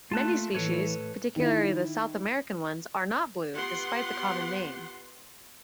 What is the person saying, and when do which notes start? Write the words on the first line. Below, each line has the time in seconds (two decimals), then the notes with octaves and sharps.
Many species, particularly the South American ones, are not blue, despite the common name.
0.12 A3 A#3 F4 A5 F#6
0.55 A2 E3 A4 B4 C#5
1.36 D#3 E4
3.55 B3 F4 G4 F#5 C6